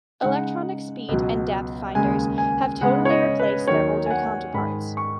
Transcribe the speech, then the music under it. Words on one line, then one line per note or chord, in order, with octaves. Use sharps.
Electronic speed and depth finders have totally replaced their older counterparts.
C#3 G#3 D#4 F#5
C#2 B2 F#3
D#2 C#3 G#3 G#5
G#5
C#3 G#3 B3 F#5
C#5
D#5
B4
D#2 D#3 F#3 D#4 C#5
G#5
F#5
G#2 D#3 G#3 B5
C#6